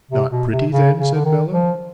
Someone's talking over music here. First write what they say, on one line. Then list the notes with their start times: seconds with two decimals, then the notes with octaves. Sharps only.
'Not pretty then?' said Bella.
0.11 C3
0.31 B2
0.51 C3
0.72 C#3
0.98 C#3
1.14 D3
1.25 D#3
1.53 F3